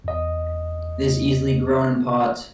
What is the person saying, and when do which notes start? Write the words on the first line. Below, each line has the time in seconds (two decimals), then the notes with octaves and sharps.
It is easily grown in pots.
0.04 E2 D#5